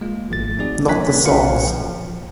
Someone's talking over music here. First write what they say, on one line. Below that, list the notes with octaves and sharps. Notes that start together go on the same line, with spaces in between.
Not the songs.
G#3 A#3 F4
G#1 F3 A3 A6
C4 D#4 F#4 G#4 D5
F#3 A#3 C#5 G#5 F#6 B6
B1 F#4 C5 F5 C#7
F3